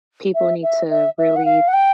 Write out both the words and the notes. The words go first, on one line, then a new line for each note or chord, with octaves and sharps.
people need to really
E5
E5
E5
E5
F#5
F5
F#5
G5